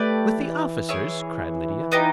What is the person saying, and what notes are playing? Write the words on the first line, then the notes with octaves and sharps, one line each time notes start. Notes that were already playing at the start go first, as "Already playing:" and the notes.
"With the officers!" cried Lydia.
Already playing: A3 G4 B4 D5
E3
E4 G#4 C#5
B3 D#4 G4